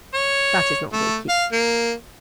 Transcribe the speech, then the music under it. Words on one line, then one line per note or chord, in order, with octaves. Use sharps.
That is not wicked.
C#5
A3
F5
A#3